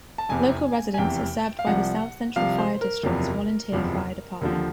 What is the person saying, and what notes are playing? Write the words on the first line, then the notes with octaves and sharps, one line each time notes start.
Local residents are served by the South Central Fire District's volunteer fire department.
A5
F1 E2 C3 E3 G#5
G#5
F1 E2 C3 E3 G5
F5
C2 C3 F3 F#5
C2 C3 F3 F5
C5
A#4
F#1 E2 C3 F3
F#1 E2 C3 F3
D#2 D3 F3